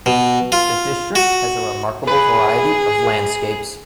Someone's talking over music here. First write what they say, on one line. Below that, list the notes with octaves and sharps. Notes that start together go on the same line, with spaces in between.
The district has a remarkable variety of landscapes.
B2
F4
F#4
G#4 B4